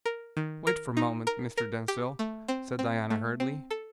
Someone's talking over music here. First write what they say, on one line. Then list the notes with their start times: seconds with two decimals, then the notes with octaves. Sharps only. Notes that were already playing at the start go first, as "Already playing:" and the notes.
"Wait for a moment, Mr. Denzil," said Diana hurriedly.
0.05 A#4
0.37 D#3
0.67 A#4
0.97 D#4
1.27 A#4
1.58 A#4
1.88 G4
2.19 A3
2.48 C4
2.79 C4
3.10 A3
3.40 C4
3.70 A4